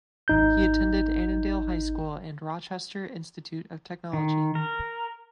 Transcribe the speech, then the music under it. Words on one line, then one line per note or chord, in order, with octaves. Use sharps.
He attended Annandale High School and Rochester Institute of Technology.
G#1 D#4 G6
D#3
A#4